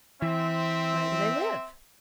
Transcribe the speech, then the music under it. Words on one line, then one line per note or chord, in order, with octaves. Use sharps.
"Where do they live?"
E3 C4 E5